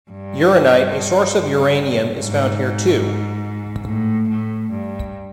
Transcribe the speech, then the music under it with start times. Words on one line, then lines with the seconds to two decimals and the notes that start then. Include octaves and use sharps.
Uraninite, a source of uranium, is found here, too.
0.11 G2
2.19 G#2
3.87 A2
4.29 A2
4.71 G2